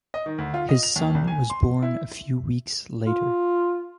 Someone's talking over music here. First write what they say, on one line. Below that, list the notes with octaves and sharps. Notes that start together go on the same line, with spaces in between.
His son was born a few weeks later.
D#5
D#3
D2
F4
D#5
F7
D#2
C2
G#5
C6
E4
F4